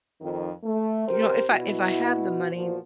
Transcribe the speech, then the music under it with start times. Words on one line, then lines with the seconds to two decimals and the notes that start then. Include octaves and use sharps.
you know, if I if I have the money,
0.21 F2 D#3
0.64 A3
1.08 C3 G4 A#4 C5
1.50 B2 E4 F#4
2.52 E2 A#2 F3 F#4 C5